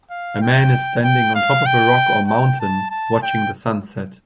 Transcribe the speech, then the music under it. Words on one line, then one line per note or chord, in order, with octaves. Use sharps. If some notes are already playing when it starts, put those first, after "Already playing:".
A man is standing on top of a rock or mountain watching the sunset.
F5
G5
G5
F5
G5
G5
A5
A5
G5